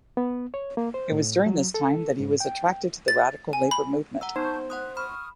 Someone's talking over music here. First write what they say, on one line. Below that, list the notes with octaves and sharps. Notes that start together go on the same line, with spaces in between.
It was during this time that he was attracted to the radical labor movement.
B3
C#5
A#3
C5
A2
F#3
A4
G#2
G5
A6
G#5
B5
F#5 A#5 E6
B3 D#4 C5 A5 C#6 G6
F#5 C6 D#6 F#6
B5 C#6 D#6 F6